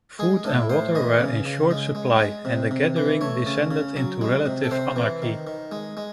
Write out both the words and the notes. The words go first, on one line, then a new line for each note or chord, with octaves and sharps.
Food and water were in short supply, and the gathering descended into relative anarchy.
G#3 G#4
A2 A4
A2 C5
E3 D#5
C#3
C#3
G#3
G#3
G#3
C3
C3
E3
A3 C#5
C#3
C#3
F#3
G#3
C3
A4
C3 C5
E3
D#3
D#3
G#3
G#3